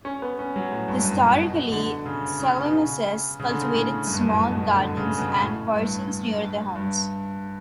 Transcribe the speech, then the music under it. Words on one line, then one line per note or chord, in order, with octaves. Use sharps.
Historically, Saloenses cultivated small gardens and parcels near their homes.
C#4
B3
C#4
F#3
A2
G2
F#2
A2
B2
D3
C#3
C#3
B2
C#3
C#3
D3
C#3
A2
F#2
G2
F#2
A2
B2
D3
C#3
B2
A2
G2
G2